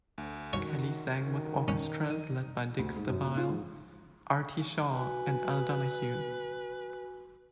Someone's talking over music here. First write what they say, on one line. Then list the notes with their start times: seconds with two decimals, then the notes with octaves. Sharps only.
Kelly sang with orchestras led by Dick Stabile, Artie Shaw, and Al Donahue.
0.18 D2
0.53 F#2 D#3 F#4 C#5 F#5
1.25 D#3
1.68 C#4
2.10 D#4 D#7
2.79 D2
2.96 G#2
3.09 F#2
3.22 A#2
3.37 F4
3.49 G#2
4.94 F#4 B4 G#5